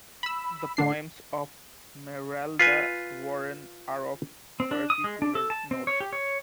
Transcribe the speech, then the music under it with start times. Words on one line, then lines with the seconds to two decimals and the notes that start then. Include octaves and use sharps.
The poems of Meralda Warren are of particular note.
0.23 B5 E6
0.77 A2 D3 D4 C7
2.59 F4 B4 G#5
4.60 C4
4.71 D4
4.90 D#6
5.04 G#3
5.22 D4
5.35 A4
5.50 A5
5.71 C4
5.87 C#5
6.00 G4
6.13 C#5